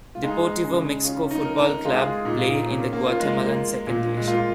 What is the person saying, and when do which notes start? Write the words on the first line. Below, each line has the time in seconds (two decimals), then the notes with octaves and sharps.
Deportivo Mixco football club play in the Guatemalan second division.
0.15 F4
0.24 G#3 D#4
0.64 C#3
1.04 C#4 F4
1.31 D#4
1.45 A#4
1.58 D#4
1.85 G#3 F4
1.94 G#4
2.03 F4
2.25 A#2 D#4
2.38 F4
2.49 D#4
2.66 A#3 C#4
2.93 A#3
3.07 F4
3.20 G#3
3.46 A#3
3.87 A#2
4.17 G#3
4.27 A#3 F4